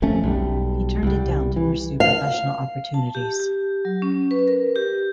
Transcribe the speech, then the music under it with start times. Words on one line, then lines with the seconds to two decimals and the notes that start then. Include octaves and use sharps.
He turned it down to pursue professional opportunities.
0.02 G1 F2 A3 C#4
0.23 B1 G3
1.03 C2 G3
1.56 E3
2.00 F5
2.94 A5
3.15 G4
3.40 G4
3.85 F#3
4.02 C#4
4.31 B4
4.48 A#4
4.76 G4